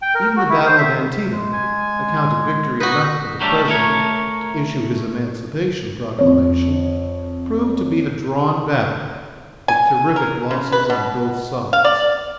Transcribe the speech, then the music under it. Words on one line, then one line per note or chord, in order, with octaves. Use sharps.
Even the battle of Antietam, accounted victory enough for the President to issue his Emancipation Proclamation, proved to be a drawn battle, with terrific losses on both sides.
G5
A#4
F#4
E4
C5
E5
G#3
G#5
D#4 F#4 B4
F#3 G3 A3 D4 G4
A3 A#4 C#5
F2 C#5
G#5
A#4
C#3
B4
B2
F5
D5